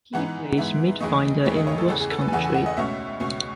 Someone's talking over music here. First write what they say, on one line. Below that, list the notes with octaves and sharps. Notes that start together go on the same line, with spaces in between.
He plays midfielder in Ross Country.
G#2 E3 B3 D#4 F#5
G#2 E3 B3 D#4 E5
D#2 C#3 E3 A3 D#5
D#2 C#3 E3 A3 D#5
D#5
C#5
A4
E2 C#3 E3 A4
G#4
A4
B4
G#5
E2 C#3 E3 F#5
G#5
F#5
D#5
C#2 B2 A3 C#4 E5
C#2 B2 A3 C#4